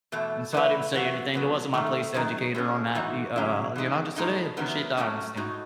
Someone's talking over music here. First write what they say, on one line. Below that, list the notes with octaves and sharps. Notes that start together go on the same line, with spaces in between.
and so I didn't say anything, it wasn't my place to educate her on that, e uh uh, you know, just today, I appreciate the honest thing.
E2 B2 A3
E3 A3 E4 B4
F#2 E3 B3 F#4
A2 F#3 B3
G#2 D#3 A3
F#2 D#3 G#3
A2 G#3 C#4
G#2 E3 A3 D#4 F#4
C#3 F#3 C#4 E4 G#4
E3 G#3 D#4
A2 G#3 D#4
E2 D#3 F#3 B3
F#2 D#3 F#3 A3 C#4
A2 G#3 D#4 F#4